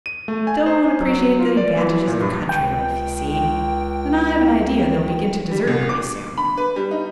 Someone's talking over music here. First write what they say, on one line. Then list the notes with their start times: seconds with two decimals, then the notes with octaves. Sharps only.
Don't appreciate the advantages of country life, you see, and I've an idea they'll begin to desert, pretty soon.
0.06 D#7
0.28 A3
0.47 G#5
0.66 C5
1.00 F#3
1.40 F4
1.57 D5
1.77 E3
2.07 A#2
2.20 G2
2.49 C#2 G5
5.51 G3
5.67 C2
5.89 D6
6.38 B5
6.57 B4
6.76 G3
6.91 D#4